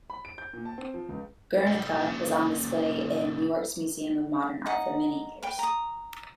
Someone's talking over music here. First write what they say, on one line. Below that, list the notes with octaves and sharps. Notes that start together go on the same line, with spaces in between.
"Guernica" was on display in New York's Museum of Modern Art for many years.
B5
D7
G6
A#2
A5
C4
F3
C#2
A2 G3
A#2 C#3
D#4 F#5
B4 G5
A#5 D#6